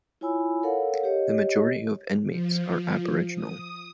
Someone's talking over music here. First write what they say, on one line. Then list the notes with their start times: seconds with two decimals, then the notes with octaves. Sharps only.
The majority of inmates are Aboriginal.
0.21 E4 F4 C#5 G#5 B5 E6
0.63 A4 A#4 C#5 F5 F#5
1.04 G4 C#5 D#5
2.30 F3
3.35 D#6